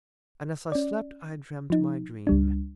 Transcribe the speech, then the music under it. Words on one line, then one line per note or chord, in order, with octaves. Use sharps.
And as I slept I dreamed my dream.
C#4 D5
F3 D#4
C#2 G3 D4